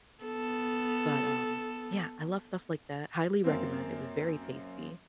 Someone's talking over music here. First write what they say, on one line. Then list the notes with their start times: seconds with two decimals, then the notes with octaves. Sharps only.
but, um, yeah, I love stuff like that, highly recommend, it was very tasty,
0.24 B3 A4
3.44 F#2 A#3 C4